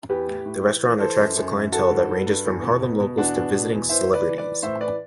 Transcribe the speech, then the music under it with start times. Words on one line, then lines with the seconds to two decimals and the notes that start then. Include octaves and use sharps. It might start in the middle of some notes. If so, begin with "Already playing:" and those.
The restaurant attracts a clientele that ranges from Harlem locals to visiting celebrities.
0.09 E2 G4 B4
0.27 A2
0.46 A2
0.65 E3
0.83 E3
1.00 E3 A4 C5
1.18 F#2
1.36 F#2
1.55 F#2
1.72 E3 F#4 A4
1.90 G2
2.09 G2
2.27 G2
2.45 E2
2.63 B2
2.81 B2
3.00 B2
3.18 E2 D4 F#4
3.36 B2
3.53 B2
3.72 E2
3.89 E3 C5 E5
4.07 E3
4.14 B4 D5
4.26 E3
4.38 B4 D5
4.44 E3
4.62 A2 C5 E5
4.81 E3 B4 D5